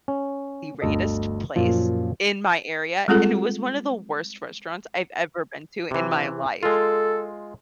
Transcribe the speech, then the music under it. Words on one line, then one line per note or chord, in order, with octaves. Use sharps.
highly-rated place in my area, and it was one of the worst restaurants I've ever been to in my life
C#4
G1 D2 A4 D#5
F#2 A#2 F3
G3 G#3 C4 F4 G#4 A4
C3 E3
G#3 F4 A4